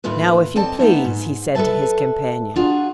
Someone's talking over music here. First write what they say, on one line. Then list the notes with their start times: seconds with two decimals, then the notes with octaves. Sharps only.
"Now if you please," he said to his companion.
0.04 D#2 A2 E4 F4 B4
0.56 C4 A4 D5 D#5 A5
0.79 A3 B3 D#4
1.05 G#2
1.55 A4 B4 C5 E5 A5
2.56 D4 F4 F#4 G#4